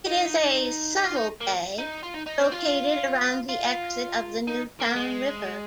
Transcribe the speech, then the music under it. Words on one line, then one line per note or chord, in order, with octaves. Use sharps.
It is a subtle bay located around the exit of the Newtown River.
D#4
D#4
F4
D#4
A#3
D#4
F4
D#4
D#4
C4
F4
F4
D#4
A#3
G#3